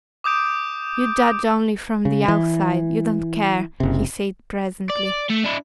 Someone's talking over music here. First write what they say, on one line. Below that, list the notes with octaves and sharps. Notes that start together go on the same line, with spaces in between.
"You judge only from the outside--you don't care," he said presently.
D6 D#6 G6 D7
C#3
E3
F#1 C3
D5
A3
D4 E4